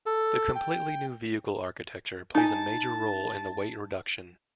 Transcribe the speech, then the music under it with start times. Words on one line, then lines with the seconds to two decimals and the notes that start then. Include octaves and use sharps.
The completely new vehicle architecture plays a major role in the weight reduction.
0.06 A4
0.55 G5
2.35 D#4 G#5 A5